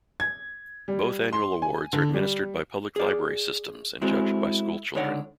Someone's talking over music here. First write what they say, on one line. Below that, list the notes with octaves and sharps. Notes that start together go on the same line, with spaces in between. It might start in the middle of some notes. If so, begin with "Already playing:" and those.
Both annual awards are administered by public library systems and judged by schoolchildren.
G#6
G3
C6
G#5
D3
G3
G#4 D5
G#3 C4 E4 F#4 A4
C#2 D3 D#4 C#5 D5 F#5